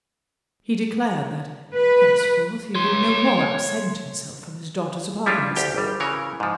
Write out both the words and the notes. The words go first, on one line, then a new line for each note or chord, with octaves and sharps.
He declared that, henceforth, he would no more absent himself from his daughter's apartments.
B4
C#5 C6
F3 G3 C#4 D4 E4 F4
D2 G4 G5
G#1 G3
C#3 E3 A#4 C#5
G#2 F3